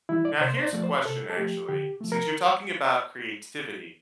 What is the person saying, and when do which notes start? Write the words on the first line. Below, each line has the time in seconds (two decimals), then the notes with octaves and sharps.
Now here's a question actually: since you're talking about creativity,
0.09 E3 G3 E4
0.25 D5
0.41 C3 C5
0.57 C5
0.62 D5
0.73 F3 A3
0.83 C5
1.05 C3 A4
1.30 A4
1.37 F3 A3 G4
1.69 D3 G4
2.01 F3 A3
2.12 A#4